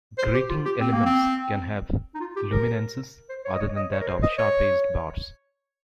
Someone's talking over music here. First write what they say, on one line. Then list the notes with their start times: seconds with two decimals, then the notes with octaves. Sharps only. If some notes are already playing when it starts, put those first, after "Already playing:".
Grating elements can have luminances other than that of sharp-edged bars.
0.18 C5
0.34 G4
0.50 F4
0.65 G4
0.80 C4
0.94 A#3
1.06 C4
2.15 D#4
2.20 F4
2.36 G4
2.51 A#4
3.29 C5
3.45 C#5
3.55 D#5
3.61 C#5
3.76 D#5
3.92 C#5
4.01 A#4
4.07 C5
4.23 D#5
4.38 C#5